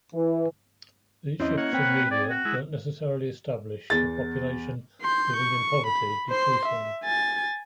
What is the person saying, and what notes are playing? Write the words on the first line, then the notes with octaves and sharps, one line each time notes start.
These shifts in media don't necessarily establish the population living in poverty decreasing.
E3
E2 C4 C#4 E4 D#5
A#3 C#5 F#5
C4 B4 G5
G#4 D5
F#4
G#3 E4
E2 A6
C6 G6
C#6
B5
C5 C6
E5
G#5 A6